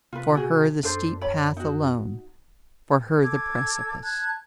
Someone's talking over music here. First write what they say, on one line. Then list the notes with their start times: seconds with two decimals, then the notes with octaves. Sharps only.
For her the steep path, alone; for her the precipice.
0.13 C3 F4 B4
0.35 F#4 G#4
0.83 F#2 D4 A4 C5
1.21 C#5 B5
1.57 D#4 F#4
3.22 A4 D6 G#6
4.03 A5 F#6 G#6